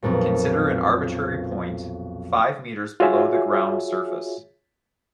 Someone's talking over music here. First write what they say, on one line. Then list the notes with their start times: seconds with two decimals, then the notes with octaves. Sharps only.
Consider an arbitrary point five meters below the ground surface.
0.02 B1 F2 A#2
3.00 F4 F#4 G#4 C#5 E5 G#5